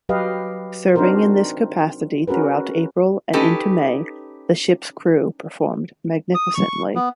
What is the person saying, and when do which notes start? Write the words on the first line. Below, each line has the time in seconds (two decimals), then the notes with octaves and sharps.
Serving in this capacity throughout April and into May, the ship's crew performed magnificently.
0.09 F#3 G4 B4 D#5 F5
0.95 C4 D4 D#4 F#4 A#4 C5
2.27 C#4 F#4 G#4 A#4 B4
3.33 C#4 D#4 G4 A4 B4
6.35 D#6
6.55 C#6
6.95 B3